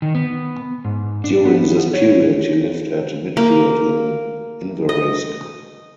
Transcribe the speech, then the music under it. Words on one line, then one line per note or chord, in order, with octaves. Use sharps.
During this period he lived at Midfield in Inveresk.
D#3
B3
G#2
D4
B3
C#5
A#3
D#5